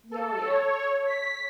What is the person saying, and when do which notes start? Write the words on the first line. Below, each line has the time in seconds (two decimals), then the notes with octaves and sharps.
Y oh, yeah.
0.11 A4
0.46 C#5
1.06 B6